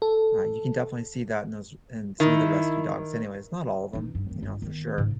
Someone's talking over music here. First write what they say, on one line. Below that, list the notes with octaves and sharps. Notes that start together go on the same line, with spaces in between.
ah, you can definitely see that in those in some of the rescue dogs anyways, not all of 'em, you know, for sure.
A4
D#3 E4
E3 D#4
G2
D#3 C4
G1
D#3 B3
G#2 C#3